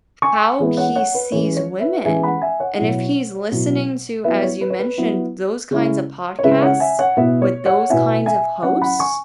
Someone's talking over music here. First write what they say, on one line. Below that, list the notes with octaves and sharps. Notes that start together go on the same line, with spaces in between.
how he sees women. And if he's listening to, as you mentioned, those kinds of podcasts with those kinds of hosts,
G#5 C#6
E3 G#3 B3 E4
C#5 F#5
C#5 F#5
B4
E3 G#3 C#4 C#5
C#5
B4 E5
E3 G#3 C#4 E5 G#5
F#5 B5
E5 G#5
C#5 F#5
B2 F#3 E4
B2 F#3 E4
F#3 B3 E4 B4 E5
C#5
B4
C#5
B4
F#3 B3 E4
C#3 G#3 C#4 E4
C#5
C#3 G#3 C#4 E4 B4 E5
C#5 F#5
E5 G#5
C#5 F#5
B2 B3 E4 B4 E5
C#5
C#5 F#5
B2 B3 E4 E5 G#5
E5 G#5
F#3 C#4 E4 C#5 F#5
F#5 B5
G#5 C#6